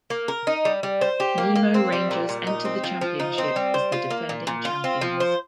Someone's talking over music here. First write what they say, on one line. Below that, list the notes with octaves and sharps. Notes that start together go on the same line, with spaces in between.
Nemo Rangers entered the championship as the defending champions.
A#3
A#4
D#4
G3
G3
C5
G4
A#3
A#3
C4
G3
A#2
A#2
D#4
C4
F3
F3
D#4
C4
G3
C5
F4
A#3
A#2
A#2
F4
C4
F3
C5